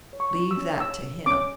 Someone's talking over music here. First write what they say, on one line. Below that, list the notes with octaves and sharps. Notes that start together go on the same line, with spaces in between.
"Leave that to him."
C#5
C#6
C#4
E6
C#4
C#5 E6
C#4
C#4 D6